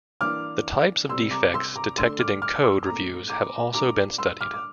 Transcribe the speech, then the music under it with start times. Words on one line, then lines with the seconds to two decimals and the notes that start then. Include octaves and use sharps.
The types of defects detected in code reviews have also been studied.
0.21 E3 A#3 D4 D6 F6
1.09 C3 G3 C4 C6 E6
1.31 A#5 D6
1.54 C6 E6
1.76 A#5 D6
1.97 D3 A3 D4 C6 E6
2.19 D6 F6
2.42 D6 F6
2.63 C6 E6
2.86 A#2 A3 C4 A#5 D6
3.30 A#5 D6
3.74 A#2 G3 A#3 D4 A#5 D6
4.18 C6 E6
4.41 D6 F6
4.54 D6